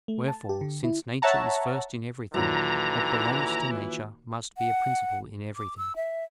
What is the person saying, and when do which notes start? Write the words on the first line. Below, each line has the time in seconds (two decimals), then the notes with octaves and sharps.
Wherefore, since nature is first in everything, what belongs to nature must be a principle in everything.
0.08 A3
0.28 A5
0.49 G4
0.61 D3
0.84 E4
1.22 C#5 E5 F#5 A5 A#5
2.34 D#2 A#2 D3 E3 F#3 A#5
4.58 F#5
5.56 D6
5.77 E6
5.96 E5